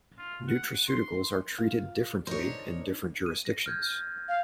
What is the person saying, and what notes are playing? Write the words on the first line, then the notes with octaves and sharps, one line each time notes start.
Nutraceuticals are treated differently in different jurisdictions.
F4
F#5
C6
F4
D4 D#4 A#4 C5 C#5
D#7
A#6
F6 G6 G#6
F5